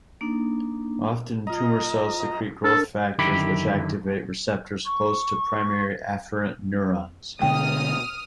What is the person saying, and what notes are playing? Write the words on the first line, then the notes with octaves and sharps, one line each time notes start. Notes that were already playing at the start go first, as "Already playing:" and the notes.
Often tumor cells secrete growth factors which activate receptors close to primary afferent neurons.
A#3 D4 D#4
F4 D#5 A#5 D#6
D4 A4 A#4
F#2 D3 D#3 E4 G4 B5
C#6
B2 D3 G#3 G5 D#6 F6